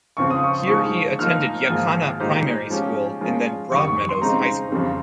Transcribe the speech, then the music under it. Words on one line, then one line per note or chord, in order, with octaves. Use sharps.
Here he attended Jacana Primary School and then Broadmeadows High School.
C#2 C#3 F3 C4 C#6
D#6
C#6
G#2 F3 G#3 C#6
G#2 F3 A#3 D#4 A#4 F6
G#1 G#2 F3 A#3
A#2 G#3 D#4 G4 C5
F3 G#3 C#4 G4
F3 G#3 C#4 F4 A#4
F2 D#3 G3 C#6
C#6
C#6
C6
C#3 G#3 C4 D#4 A#5
F2 C#3 G3 C4